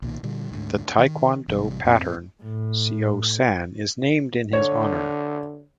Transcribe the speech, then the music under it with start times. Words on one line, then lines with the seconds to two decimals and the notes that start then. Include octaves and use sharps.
The Taekwon-Do pattern Seo-San is named in his honor.
0.02 B1 A#2 D#3
0.23 A#2 D3 G3
0.52 D2 G#2
0.98 D#3
1.48 A1 C3 G3
1.85 F2 A2 C4
2.43 A2
4.53 D3 C#5